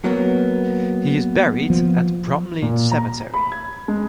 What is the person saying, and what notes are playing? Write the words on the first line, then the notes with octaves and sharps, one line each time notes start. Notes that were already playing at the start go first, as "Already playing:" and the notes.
He is buried at Bromley Cemetery.
F#3 A#3 B3
F3
A#2
A#5
B5
G#6
G#3